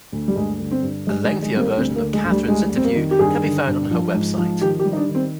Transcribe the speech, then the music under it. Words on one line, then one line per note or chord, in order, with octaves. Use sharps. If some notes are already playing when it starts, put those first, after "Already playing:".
A lengthier version of Kathryn's interview can be found on her website.
D2
G3
G2 G#3
D3
C4
G2
G3 G#3
G#3
D#3
G#3
G3 C4
A#3
D2 C4
A#3
D3
G#3
D2
G3
G3 G#3
F2 C4
A#3
D#3
G4
G2 G#4
D3
G2
F3
G#2
F3
D#3 G4
G4
G3
D#4
D4
D#3
C4